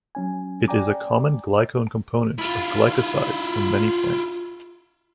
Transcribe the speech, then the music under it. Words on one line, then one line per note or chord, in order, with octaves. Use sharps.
It is a common glycone component of glycosides from many plants.
F#3 C#4 G#5
D5 G5 G#5 A#5 D6
E4 F4